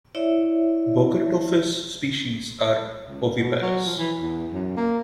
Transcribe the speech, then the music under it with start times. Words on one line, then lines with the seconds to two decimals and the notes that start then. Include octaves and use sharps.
"Bogertophis" species are oviparous.
0.15 E4 C#5 D5 E5
3.07 C#2
3.39 B2
3.62 F#3
3.85 F3
3.98 E3
4.20 E2
4.52 F#2
4.77 A#3